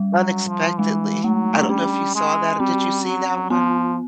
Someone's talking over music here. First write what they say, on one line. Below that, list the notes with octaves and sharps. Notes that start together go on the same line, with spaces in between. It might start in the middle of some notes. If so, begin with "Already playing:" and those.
Unexpectedly. I don't know if you saw that did you see that one?
Already playing: G3
F#3
F3
E3 G#3
F#3 A3
D4
G3 C#4
G#3
G3 C4
F#3
F3 B3